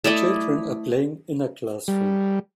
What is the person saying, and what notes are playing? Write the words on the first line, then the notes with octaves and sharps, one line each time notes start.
Children are playing in a classroom.
A3 E4 D5 D#5
G3